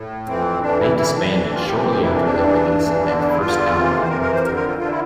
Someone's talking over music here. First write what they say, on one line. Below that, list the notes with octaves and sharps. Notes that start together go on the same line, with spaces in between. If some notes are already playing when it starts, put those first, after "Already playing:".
They disbanded shortly after the release of their first album.
Already playing: A2
F2 E3 C4
F2 E3 D4
E4
A2 E3 E4
D4
A2 E3 D4
D4
F4
F2 C3 E3 G4
G4
G4
F2 C3 E3 E4
D4
D4
G2 E3
G2 E3
E2 D3 D4
D4
E4
E2 D3 F4
F2 C3 E3
C5
F2 C3 E3 A#4
A#4
C5
F2 A#4
D3
A#4
F4
D3 F4
D4
E4